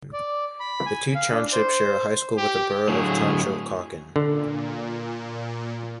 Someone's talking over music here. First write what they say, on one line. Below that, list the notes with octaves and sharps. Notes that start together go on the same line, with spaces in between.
The two townships share a high school with the borough of Conshohocken.
D5
B5
G#5
F5
D4
C5
G4
A2 D3 F#3 G#4
A#2 D3